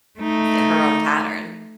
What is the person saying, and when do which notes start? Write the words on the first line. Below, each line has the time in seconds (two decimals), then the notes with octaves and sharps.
the her own pattern
0.19 A3 D#4